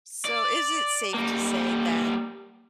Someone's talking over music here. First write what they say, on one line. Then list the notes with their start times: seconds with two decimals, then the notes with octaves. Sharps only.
So is it safe to say that
0.25 D5
1.14 G3 A#3